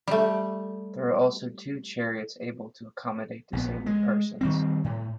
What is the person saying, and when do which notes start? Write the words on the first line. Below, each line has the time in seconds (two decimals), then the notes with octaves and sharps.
There are also two chariots able to accommodate disabled persons.
0.07 G3 A3
3.53 A#1 D#3 B3
3.86 G#3
4.41 D#3 G3 C4
4.84 A2